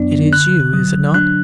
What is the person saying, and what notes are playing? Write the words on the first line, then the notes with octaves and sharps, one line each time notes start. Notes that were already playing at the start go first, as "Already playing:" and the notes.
"It is you--is it not?"
Already playing: F#2 F#3 B3 D4 D5
D3 F#6
F#3
D4 F#6